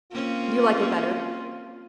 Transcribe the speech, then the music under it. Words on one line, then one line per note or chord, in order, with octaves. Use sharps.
You like it better?
A#3 C4 C#4 F4